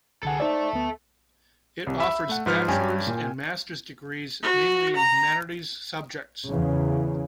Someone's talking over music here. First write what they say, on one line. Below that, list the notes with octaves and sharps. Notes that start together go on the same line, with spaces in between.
It offers bachelor's and master's degrees, mainly in humanities subjects.
C2 D3 G#4 A4 F#5
D#4 A4 C5 D5 E5
D2 B3
C2
E5 B5 E6
A3 F#5
G#2 F3 B4 F6
G2 C#4 G4 G5 G#5
A#2
F#4
A#5
E2 C#3